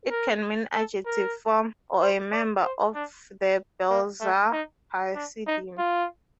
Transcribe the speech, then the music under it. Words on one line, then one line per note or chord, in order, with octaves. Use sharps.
It can mean adjective form, or a member of the Belzer Hasidim.
A#4
A4
A#4
C5
D5
C5
D4
A#3
A3
D#4
D4
D#4
F4